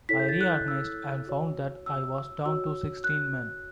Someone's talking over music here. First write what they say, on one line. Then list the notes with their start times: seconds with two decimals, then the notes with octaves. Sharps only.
I reorganized and found that I was down to sixteen men.
0.09 E4 A4 C#5 B6
0.19 G6
0.29 A6
0.41 F#6
0.48 G6
0.68 E6
1.27 F#4 C#5
1.86 E6
2.46 F#4 C#5 E6
3.04 F#6